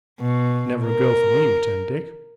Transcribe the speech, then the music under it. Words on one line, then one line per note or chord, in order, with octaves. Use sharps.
"Never a girl for me," returned Dick.
B2
A#4